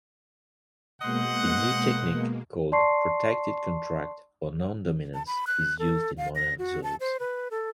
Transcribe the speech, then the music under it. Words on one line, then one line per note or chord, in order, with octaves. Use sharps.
A new technique, called "protected contact" or "non-dominance" is used in modern zoos.
B2 G#3 A#3 C5 D#5 F#5
D5 A5 C6 C#6 C7
A5
B5
F#6
A4
F5
A#6
F#4
A5
C5
B4
A4